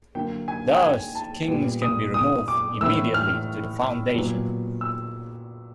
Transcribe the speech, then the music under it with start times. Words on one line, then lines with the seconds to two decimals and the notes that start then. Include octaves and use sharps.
Thus, kings can be removed immediately to the Foundation.
0.15 D3 F#3 A#3 G5
0.48 G#5
0.73 G5
0.81 G#5
1.15 A5
1.48 A#2 G3 B3
1.82 D#6
2.14 D#6
2.48 D6
2.81 A2 E3 A3 E6
3.14 F6
4.14 A#2 F#3 B3
4.81 E6